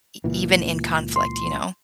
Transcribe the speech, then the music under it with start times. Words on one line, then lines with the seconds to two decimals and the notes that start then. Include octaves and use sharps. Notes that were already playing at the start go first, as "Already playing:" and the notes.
e even in conflict, you know?
0.24 C#2 A#2 E3
1.16 C6